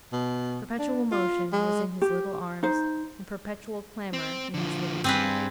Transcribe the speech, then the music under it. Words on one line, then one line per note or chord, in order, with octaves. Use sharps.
Perpetual motion was in his little arms and perpetual clamor in his little lungs.
B2
D4
F4
G#3
G4
D#4 C5
C4
D3 F3
G2 C4 G#4 B4